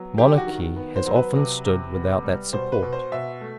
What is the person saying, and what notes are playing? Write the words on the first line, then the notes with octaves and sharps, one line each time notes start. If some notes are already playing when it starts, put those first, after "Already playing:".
Monarchy has often stood without that support.
Already playing: F#3 B3
D#3 G4
F#4
D#3
B3
C5
F#3
B4
C3
C3
B3
G3
B2 C5
B4
B2
C5
B2 E5
A3